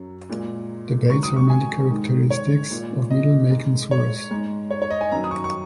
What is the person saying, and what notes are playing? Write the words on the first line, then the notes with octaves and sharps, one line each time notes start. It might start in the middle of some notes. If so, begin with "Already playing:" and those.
Debates are mainly characteristics of middle "Meccan suras".
Already playing: F#2 F#3
A#2 G#3
G#2 D#3 F#3 C#6
D#6
C#6
G#5
G#2 D#3 G#3
C#5
A#2 G#3
D#5
G#2 G#3
C#5
G#2 G#3
C#5
C#5
D#5
G#5
F#2 D#3 F#3 A#5
D#6
C#6
C#6